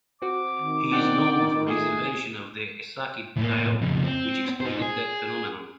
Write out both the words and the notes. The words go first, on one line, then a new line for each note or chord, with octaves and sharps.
He is known for his invention of the Esaki diode, which exploited that phenomenon.
C4 F#4 D6
D#3
C4 D4 D5 F#5 G5
A3 G#4
A2 A#3
F2 C#3
C4
D#4 C5
G#4